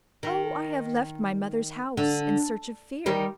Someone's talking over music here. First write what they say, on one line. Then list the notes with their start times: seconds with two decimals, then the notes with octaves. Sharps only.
'Oh, I have left my mother's house in search of fear.
0.23 D#3
1.97 D3
3.06 D#3 G3